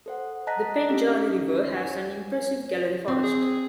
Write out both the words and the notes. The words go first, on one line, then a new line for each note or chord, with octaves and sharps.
The Pendjari River has an impressive gallery forest.
A4 C5 F#5
D#5 A5 A#5 F#6 A#6 B6
C#4 D#4 G4 A4
G#5
C4
G#4